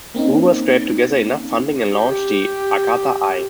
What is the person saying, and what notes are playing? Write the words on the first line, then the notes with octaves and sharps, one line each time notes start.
Hoover scraped together enough funding and launched the "Arcata Eye".
A#3 C4 C#4 D#4
G4